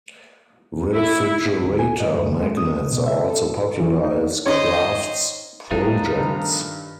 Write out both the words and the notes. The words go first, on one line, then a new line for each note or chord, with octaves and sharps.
Refrigerator magnets are also popular as crafts projects.
E4
D2
G#5
D#5
F#2
G#3
D#6
B2
E5
A4
E3
D#4
D#3 C#4 C5 C#5 D#5
A2 F3 G3 A3 B3 D4 D#4 A#5
G2 D#3